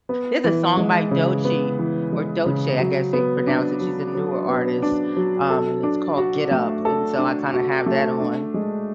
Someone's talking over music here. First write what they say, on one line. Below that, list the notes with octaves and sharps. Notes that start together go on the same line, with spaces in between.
there's a song by Doechii or Doechii, I guess you pronounce it, she's a newer artist, um, and it's called “Get Up,” and so I, kinda, have that on
B3
E3
G#3
C#3
B3
E3
G#3
C#3
F#3
B3
D4
F#3
F#3
B3
D4
F#3
A4
D4
F#4
A3
A4
D4
F#4
A3
D4
G#3